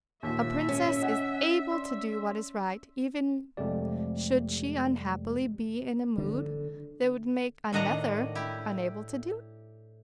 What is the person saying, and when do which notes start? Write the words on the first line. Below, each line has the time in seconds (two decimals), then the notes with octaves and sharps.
A princess is able to do what is right even should she unhappily be in a mood that would make another unable to do it.
0.23 D#2 A#2 E5
0.69 C#4
1.01 D#5 F#5 G#5
1.70 D5 C6 E6
3.57 F2 C3 G#3 A3 G4 D5
6.18 D3
7.73 A2 D#3 D4 D#5 F#5 A#5
8.35 E4 G4